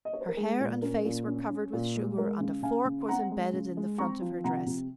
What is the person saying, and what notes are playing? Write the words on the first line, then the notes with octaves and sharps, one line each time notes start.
Her hair and face were covered with sugar and a fork was embedded in the front of her dress.
D#5
C#5
C5
A#4
G#3 G#4
A#2
C#4 A#4
A#2
C#4
C#4
A#2
G#3
G#3 A#4
C#3
C#3 F5 G#5
C#3
C6
C4 F#5 A#5
G#3
C#3
G#3
C4 A#5 C#6
F3
C3 F#5 A#5
C3